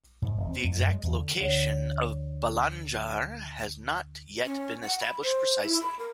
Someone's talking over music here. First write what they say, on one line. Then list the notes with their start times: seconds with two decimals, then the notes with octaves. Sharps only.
The exact location of Balanjar has not yet been established precisely.
0.22 G#2
0.37 E1
0.49 C4
0.64 F2
0.80 F#2
0.91 G#3
1.03 E2
1.15 D3
1.40 D2 D3 C#5
4.46 C#4
4.83 F#5
5.01 B5
5.23 C5
5.63 E4
5.80 B5
5.99 A#4